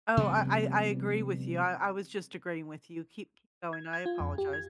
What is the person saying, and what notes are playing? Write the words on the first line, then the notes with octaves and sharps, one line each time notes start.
Oh I I I agree with you. I I was just agreeing with you. Keep k going. I apologize.
C3 F3 G3 B3
G#6
G#6
F4
F2
G4
G#6